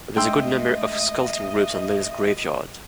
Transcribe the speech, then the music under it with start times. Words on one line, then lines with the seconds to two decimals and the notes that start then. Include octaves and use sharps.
There is a good number of sculpting groups on Lleida’s graveyard.
0.17 G#3 A3 D4 D#5 E5 G5 C6 E6